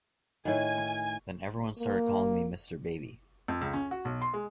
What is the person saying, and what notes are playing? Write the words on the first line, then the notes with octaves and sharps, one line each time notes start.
Then everyone started calling me Mr. Baby.
A2 D#3 G#5
A#3
F2
C#2
C#4
F#4
B1
C6
G#3